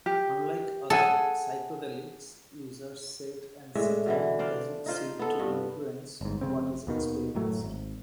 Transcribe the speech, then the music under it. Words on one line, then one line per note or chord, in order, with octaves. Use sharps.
Unlike other psychedelics, users' set and setting doesn't seem to influence what is experienced.
G4
G#4 A4 F#5 G#5
A2 G#3 D4 E5
B2 D3 E3
D4 C5 D5 F5
D#4 F4 C5
B3 A4
G2
G1 G#2
F1 B1 C#3 C4
D#2 B2 D#3
F#1 A2 F#3 A3
G#1